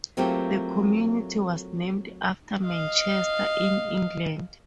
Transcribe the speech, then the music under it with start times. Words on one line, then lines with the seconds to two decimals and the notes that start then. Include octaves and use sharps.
The community was named after Manchester, in England.
0.17 F#3 A3 A#3 C4 F4 G4
2.65 D#5 F5